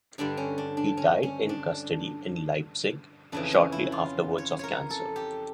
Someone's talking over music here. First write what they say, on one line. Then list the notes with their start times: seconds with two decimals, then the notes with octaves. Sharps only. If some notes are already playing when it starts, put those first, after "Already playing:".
He died in custody in Leipzig shortly afterwards of cancer.
0.18 G2 D3 G3 D4
0.37 C#4
0.58 D4
0.77 D4
0.97 C#4
1.23 C#4
1.49 D4
3.32 F2 C#3 E3 D4
3.53 C#4
3.72 E4
3.92 F4
4.38 C#5
4.59 A#4 C#5
4.90 A4
5.16 G4